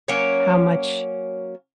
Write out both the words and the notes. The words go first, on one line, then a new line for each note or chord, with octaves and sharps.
How much
F#3 A#3 C#4 C#5